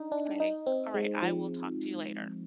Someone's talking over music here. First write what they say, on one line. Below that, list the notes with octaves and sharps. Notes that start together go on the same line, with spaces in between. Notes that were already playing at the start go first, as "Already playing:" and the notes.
Okay. Alright, I will talk to you later.
Already playing: D4 D#4
D4
D#4
C4
G#3
F3